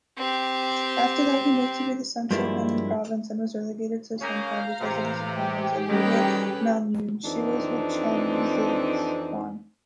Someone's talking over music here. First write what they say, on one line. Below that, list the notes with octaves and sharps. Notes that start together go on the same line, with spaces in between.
After that, he moved to be the censor of Henan Province, and was relegated to his hometown because of his opinions, and rebuilt Nanyuan She with Chen Zizhuang.
C4 G4
G2 F3 G#3 A#3 D4 E4
C#3 A#3 C#4 F5 A#5 G6
A2 C3 E3
G4 G#4
F#2 D#3 G3 C#4 A4 B4
F2 E3 C4 D4 D#4